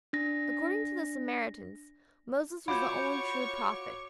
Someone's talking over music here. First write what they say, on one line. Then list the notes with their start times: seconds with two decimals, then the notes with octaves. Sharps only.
According to the Samaritans, Moses was the only true prophet.
0.13 D4 A#6
2.68 F4 F#4 C#5 B5 C#6 D6 G6 D7